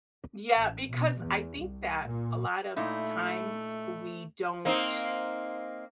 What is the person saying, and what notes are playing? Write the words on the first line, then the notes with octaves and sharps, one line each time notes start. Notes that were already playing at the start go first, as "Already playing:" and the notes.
Yeah, because I think that a lot of times we don't
A1
B2
E2
C2
A#2
A#2 A3 D#4 E4
A#3 C4 D#4